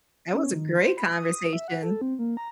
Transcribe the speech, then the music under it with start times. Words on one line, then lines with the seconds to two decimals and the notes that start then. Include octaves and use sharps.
That was a great conversation.
0.33 C#4
0.53 D#3
0.78 C5
0.97 B5
1.13 D#6
1.38 D#6
1.53 E5
1.68 F#5
1.83 A4
2.01 C4
2.19 A#3
2.37 A#5